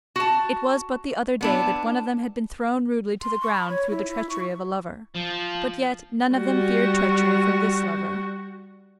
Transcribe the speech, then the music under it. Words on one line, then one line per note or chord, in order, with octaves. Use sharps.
It was but the other day that one of them had been thrown rudely to the ground through the treachery of a lover, but yet none of them feared treachery from this lover.
F#4 A5
B3 D4 E4
C6
C#6
B5
C#5
E4
E4
C#6
F3
G3 F#4